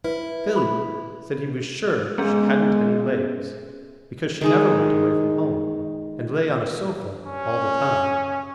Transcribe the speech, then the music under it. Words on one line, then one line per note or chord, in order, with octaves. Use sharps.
Philly said he was sure she hadn't any legs, because she never went away from home, and lay on a sofa all the time.
E4 B4
B5
G#3 B3 C#4 G#4
D#3 G#3 G#4
C#4